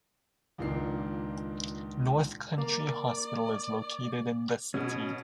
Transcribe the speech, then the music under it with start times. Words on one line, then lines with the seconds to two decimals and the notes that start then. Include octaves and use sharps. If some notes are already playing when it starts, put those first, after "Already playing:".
North Country Hospital is located in the city.
0.58 C#2 A#2 D#3 D4 C7
2.58 A#3 D5
4.74 B2 C#4